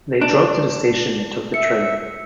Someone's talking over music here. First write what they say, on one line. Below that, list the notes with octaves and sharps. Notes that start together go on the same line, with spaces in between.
They drove to the station and took the train.
D4
E5 C#7